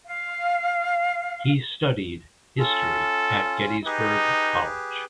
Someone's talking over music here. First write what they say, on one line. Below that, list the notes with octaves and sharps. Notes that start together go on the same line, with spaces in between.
He studied history at Gettysburg College.
F5
C#4 F4 A4
D#4 G4 G#4 B4